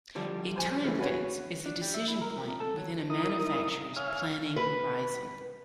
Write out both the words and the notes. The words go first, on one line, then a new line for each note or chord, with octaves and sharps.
A time fence is a decision point within a manufacturer's planning horizon.
D3 F3 G3
C5 G#5
C#3 E3 A3
F#4 B4 C#5
D4
G3
E5
E4
A#4
F2
A4
F#3
D#4 E4 A#4 D#6
C#5 E5 F5 G#5 F6
B4